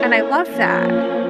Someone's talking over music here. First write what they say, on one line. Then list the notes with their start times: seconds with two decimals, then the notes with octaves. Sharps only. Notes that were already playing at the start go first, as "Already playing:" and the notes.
And I love that.
Already playing: A#3 C#4 E4 A#4 C#5
0.50 F3 A#3 C#4